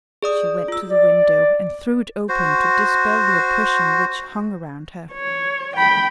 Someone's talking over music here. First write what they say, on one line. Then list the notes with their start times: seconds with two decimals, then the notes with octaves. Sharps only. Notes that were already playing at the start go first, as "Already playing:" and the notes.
She went to the window, and threw it open, to dispel the oppression which hung around her.
0.23 G#4 D5 D#6
0.68 F4 E6
0.89 D5
2.29 F#4 C5
5.13 C#5
5.77 G5 B5